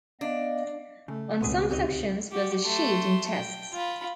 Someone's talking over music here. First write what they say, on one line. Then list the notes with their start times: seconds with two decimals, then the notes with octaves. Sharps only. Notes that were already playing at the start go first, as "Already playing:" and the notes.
On some sections was achieved in tests.
0.21 B3 D4 D#5 F5
1.08 C#3 A3
1.41 C#2 B2 G#3 B3 C4 G#4 F#5
1.71 D2 C4 D#4 F#4 G4 C#5 D#5
2.31 F#4 G4
2.65 A3 C6
3.30 G5
3.73 F4 B5